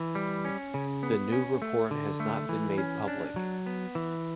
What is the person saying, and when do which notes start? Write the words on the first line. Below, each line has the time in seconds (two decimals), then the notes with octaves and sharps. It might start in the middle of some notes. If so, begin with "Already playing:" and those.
The new report has not been made public.
Already playing: E3
0.15 G3
0.45 C#4
0.74 C#3
1.03 B3
1.32 C#4
1.62 A3
1.91 D3
2.20 A3
2.49 E3
2.78 C#4
3.08 D4
3.36 F#3
3.66 B3
3.95 E3